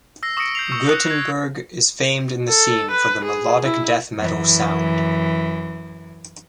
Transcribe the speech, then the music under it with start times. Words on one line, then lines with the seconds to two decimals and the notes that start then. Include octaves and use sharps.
Gothenburg is famed in the scene for the "melodic death metal" sound.
0.23 E6 A#6 C7
0.37 C#6 D#6 E6 A#6 C#7 D7
0.55 G6 C7 F7
0.72 C#6 E6
0.88 D#6 F#6
1.07 G#6 A#6
2.49 A4
2.91 B4
3.24 G#4
3.64 E4
4.17 F#2 E3